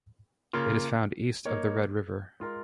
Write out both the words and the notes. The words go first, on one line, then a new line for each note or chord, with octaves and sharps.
It is found east of the Red River.
C#3 A#3 F4
A#3 D#4 C#5
G#3 F4 A#4